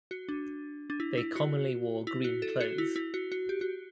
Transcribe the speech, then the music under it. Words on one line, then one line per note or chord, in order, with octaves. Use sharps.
They commonly wore green clothes.
F#4
D4
D4
E4
E4
F#4
E4
F#4
A4
F#4
E4
E4
F#4
F#4
G4
F#4